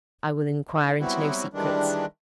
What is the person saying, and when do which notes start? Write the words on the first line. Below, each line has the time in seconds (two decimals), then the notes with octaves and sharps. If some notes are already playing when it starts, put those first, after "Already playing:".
"I will enquire into no secrets."
0.81 D#3
0.99 F#3 G3 B3 C4 E4 F#4
1.54 D#3 E3 G3 G#3 D4